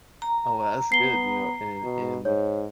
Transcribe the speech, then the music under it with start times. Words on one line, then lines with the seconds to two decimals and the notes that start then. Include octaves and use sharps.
Oh well, that's good, you know, and and,
0.22 A#5
0.92 B3 C7 G7
1.83 B2
2.25 G#2 C#5